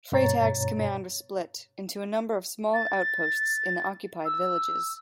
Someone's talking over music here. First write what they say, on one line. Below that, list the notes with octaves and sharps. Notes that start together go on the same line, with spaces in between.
Freytag's command was split into a number of small outposts in the occupied villages.
G2 B2 C#5 A#5 A6
A6
E6